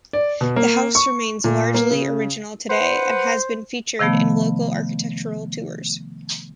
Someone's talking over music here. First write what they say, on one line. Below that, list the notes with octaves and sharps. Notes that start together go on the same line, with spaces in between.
The house remains largely original today and has been featured in local architectural tours.
D5
B2
A#3
C#6
A#2
A#3
C#3
B4 C5 F#5
C3 D#3 F3 A3 B3